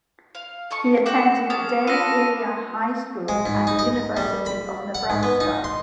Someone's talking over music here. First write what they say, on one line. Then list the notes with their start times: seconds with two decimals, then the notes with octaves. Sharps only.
He attended Derry Area High School and the University of Nebraska.
0.35 F5
0.71 A4 D#5 C#6
1.06 F#4 F#5 G5 D6
1.50 C#4 A5 D#6
1.87 F4 A4 B4 A#6 D#7
3.28 G#3
3.46 G#2
3.67 D#4
3.79 D#5
4.17 G3
4.46 B5
4.95 F#5
5.10 G#2
5.23 B3
5.40 D#4
5.64 C6